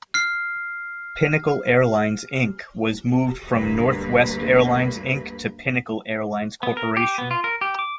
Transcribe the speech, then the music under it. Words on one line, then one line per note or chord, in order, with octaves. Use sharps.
Pinnacle Airlines, Inc was moved from Northwest Airlines, Inc to Pinnacle Airlines Corporation.
F6 C7
D2 G2 A#3 B4
B3
A#4
G4
B3
F4
A#4
G4
D6